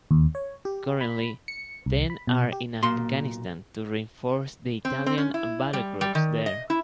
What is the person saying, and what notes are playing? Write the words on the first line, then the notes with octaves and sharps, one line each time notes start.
Currently ten are in Afghanistan to reinforce the Italian Battlegroups there.
D#2
C#5
G4
B5
C#7
C2
B5
B2
G4
B1 A#2 C6
C4
C4
C#4
E4
G3
G3
D#3
D#5
E4